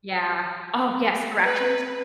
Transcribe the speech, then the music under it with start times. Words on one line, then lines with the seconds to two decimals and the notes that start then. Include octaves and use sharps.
Yeah. Oh, yes, directions?
1.44 B4